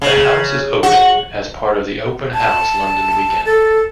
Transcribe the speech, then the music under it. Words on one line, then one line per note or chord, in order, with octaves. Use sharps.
The house is open as part of the Open House London weekend.
C#3
F#4
A5
A4